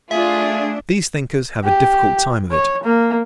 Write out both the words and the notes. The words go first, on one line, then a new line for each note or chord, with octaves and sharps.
These thinkers have a difficult time of it.
A3 D4 F4 G#4 E5
G4
C#5
A#3